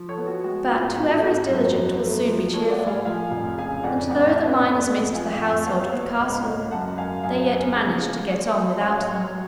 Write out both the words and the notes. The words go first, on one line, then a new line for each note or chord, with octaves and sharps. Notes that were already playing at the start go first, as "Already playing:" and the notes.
But whoever is diligent will soon be cheerful, and though the miners missed the household of the castle, they yet managed to get on without them.
Already playing: F3
A4 C#5
B3
F#4
G#3 F#4
A1 F4
G#1 F#4
A4
G#1 F4 G#4
F#2 F#4 A4
F#2
A3
F3
G#3 A4 C#5
D5 F#5
A2
F5 G#5
F3 F5 G#5
F1
C#3 F5 G#5
F2 D5 F#5
A1 D5 F#5
C#5 F5
A1
B4 D5
F1
B4 D5
F2
F3 F5 G#5
F2
B3 C#5 F5
B3
C#2
C#2
F#2 F#5 A5
F#2 F5 G#5
F#2 F5 G#5
B3
C#3
G#3
G#3
G#3
A1 C#5 F5
F#3